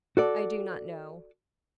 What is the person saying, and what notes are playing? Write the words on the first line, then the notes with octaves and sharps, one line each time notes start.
"I do not know."
F#4 A4 D5